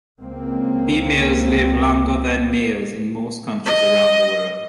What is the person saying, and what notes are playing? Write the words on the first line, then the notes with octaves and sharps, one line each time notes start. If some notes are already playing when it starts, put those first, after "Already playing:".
Females live longer than males in most countries around the world.
C#2 A#3 C4
D#5